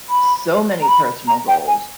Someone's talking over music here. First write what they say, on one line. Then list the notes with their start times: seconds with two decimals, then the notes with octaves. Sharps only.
so many personal goals,
0.10 B5
0.82 A#5
0.88 B5
1.28 A#5
1.48 G5
1.68 G#5